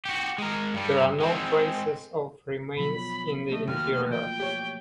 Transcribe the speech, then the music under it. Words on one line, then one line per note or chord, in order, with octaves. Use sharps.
There are no traces of remains in the interior.
F#4 G4
G#3 A#4
G2 G3
G#3 C4
B2 F3 F#3 B5
A3 D#5
D#2 A3 A#3 F#4 F6
F3 G5
G4 C#5